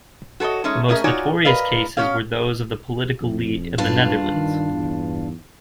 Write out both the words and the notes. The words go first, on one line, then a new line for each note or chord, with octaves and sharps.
The most notorious cases were those of the political elite of the Netherlands.
F#4 A4 B4 C#5 D#5
G#3 A3 C#4 D#4
A3 C#4 G#4 A#4 D#5
D#4 F4 F#4 C#5 D5 G#5
A#4 B4 D5 D#5 F5
B2 C#4 C#5 F5
F2
B1 G2 D4 F4
D#3
E2